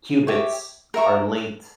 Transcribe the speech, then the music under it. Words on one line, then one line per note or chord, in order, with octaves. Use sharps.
cubits are linked
G4 C#5 E5
A#4 E5 A#5 C#6